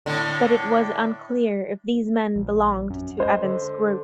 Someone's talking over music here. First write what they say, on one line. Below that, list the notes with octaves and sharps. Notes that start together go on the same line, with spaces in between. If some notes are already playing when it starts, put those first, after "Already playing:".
But it was unclear if these men belonged to Evans' group.
A2 D3
A#1
F#2
G#3 C5
D3